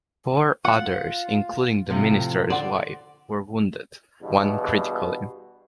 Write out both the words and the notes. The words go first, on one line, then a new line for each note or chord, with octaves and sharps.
Four others, including the minister's wife, were wounded, one critically.
F4 F#5
A2 C3 F3 A4
D3 D5 F#5 C6
E2 G2 B2